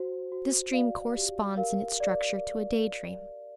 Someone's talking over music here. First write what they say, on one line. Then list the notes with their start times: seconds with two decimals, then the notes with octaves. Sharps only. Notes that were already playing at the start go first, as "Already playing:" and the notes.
This dream corresponds in its structure to a day dream.
Already playing: F#4 C5
0.32 F#4
0.73 D5 F5
1.15 G4
1.57 A#4 F5
2.00 D5